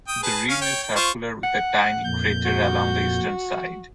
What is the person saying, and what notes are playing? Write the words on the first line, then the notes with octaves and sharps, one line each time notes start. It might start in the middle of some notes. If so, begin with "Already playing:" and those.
The rim is circular with a tiny crater along the eastern side.
G5 D#6
G#4 B4 A5
C#4 F5
C#5 G5
G5
F4 C5 C#6
F#5
F2 A#2 G6
F#4